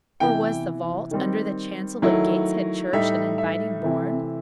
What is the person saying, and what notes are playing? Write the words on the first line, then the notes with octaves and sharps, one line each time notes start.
Or was the vault under the chancel of Gateshead Church an inviting bourne?
C3 E3 B3 E4 G5
D#3 G3 C4
D#3 F#3 A3 E4
A2 G3 D#4 E5
E5
C3 E3 A3 C4 E4